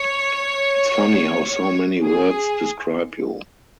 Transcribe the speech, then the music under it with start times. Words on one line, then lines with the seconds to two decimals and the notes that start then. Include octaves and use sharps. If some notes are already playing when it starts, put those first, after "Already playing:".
It's funny how so many words describe you.
Already playing: C#5
2.04 G#4